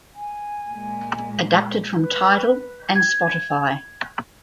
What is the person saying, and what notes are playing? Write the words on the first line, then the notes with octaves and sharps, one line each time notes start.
Adapted from Tidal and Spotify.
G#5
A#2 G#3
B4
G#6